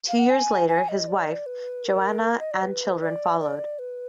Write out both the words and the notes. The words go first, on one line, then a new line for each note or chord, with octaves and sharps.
Two years later, his wife Johanna and children followed.
F5
F#5
G#5
G#5
D#5
D5
B4
A#4
D#5
D5
B4
D5
D5
B4